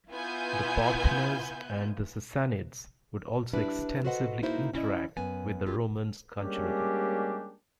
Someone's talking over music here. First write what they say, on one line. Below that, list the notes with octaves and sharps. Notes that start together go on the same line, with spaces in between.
The Parthians and the Sassanids would also extensively interact with the Romans culturally.
B3 E4 F4 G#5 G6
G3 D4 E4 B4
F#4 A4 B4 C5 D#5 F#5
A#3 D#4 E4 F#4 C5
C#4 E4 D5 D#5
F#2 B3 G#5
G3 F4 G4 A4
G3 G#3 A#3 C#4 D4 G4